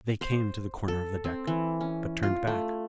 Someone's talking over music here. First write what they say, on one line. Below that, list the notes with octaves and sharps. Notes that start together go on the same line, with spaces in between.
They came to the corner of the deck, but turned back.
C5
A4
C4
E3
C#4
F4
A3